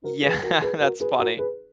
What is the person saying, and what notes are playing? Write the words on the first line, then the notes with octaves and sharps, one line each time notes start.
Yeah. That's funny.
F#4 A#4
G#4 B4
F#4 A#4
G#4 B4
B4
F#4 A#4
G#4 B4
F#4 A#4
G#4 B4